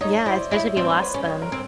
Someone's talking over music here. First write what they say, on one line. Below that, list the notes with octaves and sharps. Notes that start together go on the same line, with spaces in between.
Yeah, especially if you lost them.
D#4 C#5 D#5
E4 C5 D5
E4 C#5 D#5
C4 C5 D5
C5
B4 C#5
C#4
C#5 D#5
A#4
C4